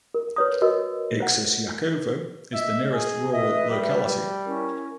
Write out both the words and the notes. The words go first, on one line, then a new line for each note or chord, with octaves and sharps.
Iksisyakovo is the nearest rural locality.
A#4
B4 C#5 D#6
F#4 A#4 D#5 E6
C5 F#5
D#5 E5
G#4
B4 D#5 E5
G3
C#4 E4 A#4